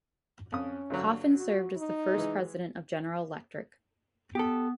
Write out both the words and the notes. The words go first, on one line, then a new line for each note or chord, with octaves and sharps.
Coffin served as the first president of General Electric.
F2 C#4 D#6
G2 D3 F#3
F#4
D#4
E3 G#3
B3 G4 A4